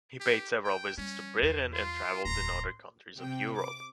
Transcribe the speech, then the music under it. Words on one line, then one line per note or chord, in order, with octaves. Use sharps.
He paid several visits to Britain and travelled in other countries of Europe.
G4
G5
G3 C#4
E2 C5
F4 C6
D1 E2 A#5
C3 G5
D6